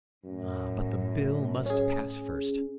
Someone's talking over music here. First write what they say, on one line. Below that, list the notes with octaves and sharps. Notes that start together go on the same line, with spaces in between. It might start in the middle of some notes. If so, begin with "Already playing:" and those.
Ah! but the Bill must pass first....
F#2 A2
C#4 G#4